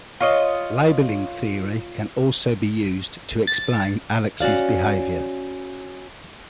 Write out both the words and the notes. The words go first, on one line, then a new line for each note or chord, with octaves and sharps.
Labeling theory can also be used to explain Alex's behavior.
F4 C#5 D#5
A6
C#4 F#4 D5 F5